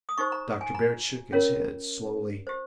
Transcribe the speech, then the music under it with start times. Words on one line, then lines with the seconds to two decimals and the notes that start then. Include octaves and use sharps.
Dr. Bird shook his head slowly.
0.09 D#6
0.18 D#4 G4 C5 C#6
0.32 A#5
0.61 G#5
0.75 A#5
1.32 C#4 F4 A#4 C#5
2.47 G4 C5